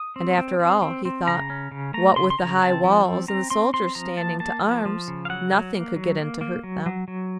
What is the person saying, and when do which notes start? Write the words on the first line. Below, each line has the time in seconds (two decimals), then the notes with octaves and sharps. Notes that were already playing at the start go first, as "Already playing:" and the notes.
And after all, he thought, what with the high walls and the soldiers standing to arms, nothing could get in to hurt them.
Already playing: D#6
0.16 C4
0.38 C4
0.60 C4
0.82 C4
1.05 C4
1.28 C#3 A#5
1.50 C#4
1.71 C#3
1.94 A3 A#5
2.16 C#3 C6
2.30 C6
2.39 C#3 A#5
2.62 C4 A5
2.84 F3
3.06 C4
3.28 C4 A#5
3.50 C4 C6
3.74 C4 C6
3.95 F3 A#5
4.17 A#3 A5
4.40 A#3 A5
4.62 F3
4.85 F3
5.08 C#3
5.25 F5
5.30 F#3 F#5
5.52 F#3
5.74 A#3
5.96 F#3
6.19 A#3
6.41 A#3
6.64 F#3
6.86 F#3
7.08 F#3